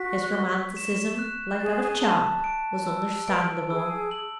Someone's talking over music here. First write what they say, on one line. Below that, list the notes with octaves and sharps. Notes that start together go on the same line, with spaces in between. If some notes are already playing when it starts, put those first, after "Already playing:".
His romanticism, like that of Champ, was understandable.
Already playing: F#4 B6
C#6
E7
F#6
G#4 A6
A5
D7
E6
B4 D7
G#4 E6
F#7